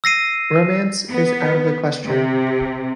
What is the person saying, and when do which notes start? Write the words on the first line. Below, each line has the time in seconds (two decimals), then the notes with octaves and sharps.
Romance is out of the question.
0.04 E6 A#6 C7 D#7
1.10 B3
2.06 C3